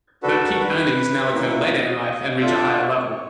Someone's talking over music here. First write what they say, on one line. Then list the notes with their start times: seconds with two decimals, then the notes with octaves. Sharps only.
But peak earnings now occur later in life and reach a higher level.
0.23 D4 F#4 A4 B4
0.41 A#4
0.59 B4
1.32 A#3 C#4 E4
1.86 D#5
2.41 D4 F4 A4 E5
2.58 D5
2.76 C#5
2.94 C#5